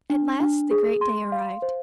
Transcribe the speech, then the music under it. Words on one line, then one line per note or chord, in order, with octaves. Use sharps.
At last the great day arrived.
D4
D4
G#4
C6
F5
C5